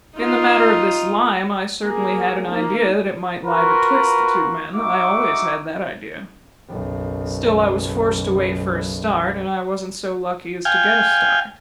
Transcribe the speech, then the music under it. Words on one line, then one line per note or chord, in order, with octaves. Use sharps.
In the matter of this lime, I certainly had an idea that it might lie betwixt the two men; I always had that idea. Still I was forced to wait for a start, and I wasn't so lucky as to get a start.
D#4 F4
A#3 G#4
A#3 D#4
F4 F#4 A#4 B4
D#4 F#4 E5 D6
F#1 B1
F5 G5 G#5